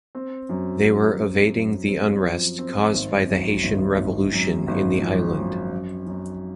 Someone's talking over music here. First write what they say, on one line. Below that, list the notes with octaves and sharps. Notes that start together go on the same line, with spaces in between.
They were evading the unrest caused by the Haitian Revolution in the island.
C4
F#2
C4
F#2
F#2
C4
F3
C4
G#1
F#2
G#1
G#1
F#2
G#1
F3
F#2
F#2
F#2